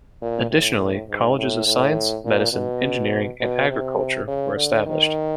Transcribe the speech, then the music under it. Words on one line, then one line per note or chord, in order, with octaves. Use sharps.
Additionally, colleges of Science, Medicine, Engineering and Agriculture were established.
A#2
A2
G#2
A2
A2
A#2
B2
B2
C3
C#3
D3
D#3